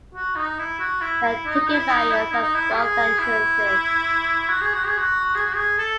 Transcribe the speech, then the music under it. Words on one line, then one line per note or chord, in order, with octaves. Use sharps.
There are ticket barriers at both entrances.
F#4
D#4
E4
F#4
E4
E4
D#4
E4
D#4
E4
D#4
D#4
E4
G#4
E4
F#4
G#4
F#4
G#4
F#4
G#4
F#4
G#4
A4